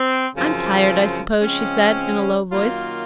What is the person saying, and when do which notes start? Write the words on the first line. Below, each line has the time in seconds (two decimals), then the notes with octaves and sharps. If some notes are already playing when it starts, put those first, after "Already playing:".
"I'm tired, I suppose," she said, in a low voice.
Already playing: C4
0.34 F#2 C#3 F3 C4
1.42 C#3 F3 G#3 C4 C#4
2.51 F#2 D#3 F#3 A#3 F4